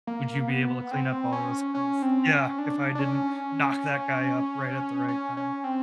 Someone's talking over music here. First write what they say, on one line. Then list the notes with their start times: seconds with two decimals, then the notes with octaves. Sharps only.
"Would you be able to clean up all those kills?" Yeah, if I didn't knock that guy up, right at the right time?
0.07 A#3
0.49 B3
0.91 C4
1.32 C#4
1.75 C#4
2.02 C4
2.30 C#4
2.58 D4
2.95 D4
2.99 C#4
5.08 C#4
5.37 C#4
5.64 C4